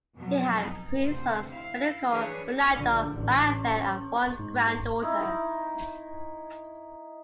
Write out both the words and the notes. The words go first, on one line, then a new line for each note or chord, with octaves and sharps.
He had three sons, Federico, Fernando and Rafael, and one granddaughter.
F2 B2 F3 F#3
D#4
D2 C3 C5
E4 F5
E3 D4 G#4 B4 C#5
A#1 D3
A1
C#4
G#2
D#4 E4